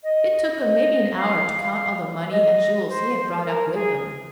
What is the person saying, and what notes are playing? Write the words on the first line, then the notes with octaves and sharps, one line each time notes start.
It took him maybe an hour to count all the money and jewels he had brought up with him.
D#5
D#5
F5
D#5
C5
A#4
G#4